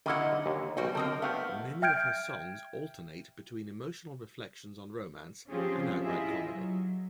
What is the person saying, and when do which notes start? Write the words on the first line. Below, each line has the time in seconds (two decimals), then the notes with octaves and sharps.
Many of her songs alternate between emotional reflections on romance and outright comedy.
0.06 D3 D#3 A#3 E4 D#5 F#5
0.46 D#2
0.77 B1 B2 G3 F#4
0.95 D3 C4 A4 A#4 D#5
1.22 A3 B3 F5 G5
1.82 E5 G5 F6 G6 G#6 D7
5.51 F3 C4 C#4 F4 G4 G#4
6.03 E4 F4 G4 G#4 D#5 E5
6.49 F#3